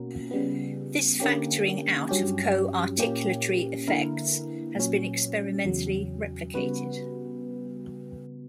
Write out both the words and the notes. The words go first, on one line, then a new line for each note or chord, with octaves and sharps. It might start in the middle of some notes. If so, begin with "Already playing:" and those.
This factoring out of coarticulatory effects has been experimentally replicated.
Already playing: B2 A#3 C#4 F#4 A#4
C#3 G3 B3
D3 A#3 C#4 G4
G2 F#3 C#4 G4
A#2 A#3 C#4 G4
D3 A#3 E4 A#4
A#2 F#3 C#4
E2 C#3 F#3
C#3 G3 B3 F#4 B4